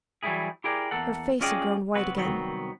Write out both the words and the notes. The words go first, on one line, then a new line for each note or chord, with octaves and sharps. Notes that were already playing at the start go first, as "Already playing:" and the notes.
Her face had grown white again.
E3 F#3 G3 A3 E4 G#4
E4 G4 G#4 A#4 D5 G5
E2 A#3 A4 F#5
C#4 F4 G#4 D5 D#5 G5
C3 F#3 F#4 B4
C2 D#3 F#3 B3 C4